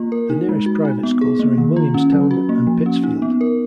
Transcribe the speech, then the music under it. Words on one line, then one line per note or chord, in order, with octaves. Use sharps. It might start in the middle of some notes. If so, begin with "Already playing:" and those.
The nearest private schools are in Williamstown and Pittsfield.
Already playing: A#3 F4
A#4
D#4
G#3
F#4
D#4
B3
G#4
A#3
D#3
F4
C#4
F#3
F#4
A#3
F3
C#4
D#4
B3
A#4